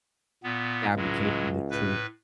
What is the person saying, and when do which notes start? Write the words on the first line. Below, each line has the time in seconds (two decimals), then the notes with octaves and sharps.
fabricating the truth
0.43 A#2 B3
0.96 C#2 A2 F#3 G#3
1.70 A2 B4